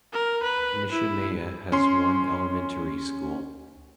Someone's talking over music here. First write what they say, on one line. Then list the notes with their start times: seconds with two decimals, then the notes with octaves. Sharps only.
Nishimeya has one elementary school.
0.13 A#4
0.43 B4
0.92 E4
1.72 C#4 C6